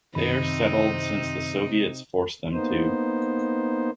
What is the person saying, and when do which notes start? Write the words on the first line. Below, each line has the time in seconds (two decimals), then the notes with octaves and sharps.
They are settled since the soviets forced them to.
0.15 F#2 C3 D#3 C4 D#4 B5
2.52 A#3 B3 D#4 C5